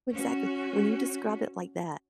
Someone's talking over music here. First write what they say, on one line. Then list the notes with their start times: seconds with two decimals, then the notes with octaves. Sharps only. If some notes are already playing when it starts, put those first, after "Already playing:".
exactly. When you describe it like that,
0.14 C#4 F#4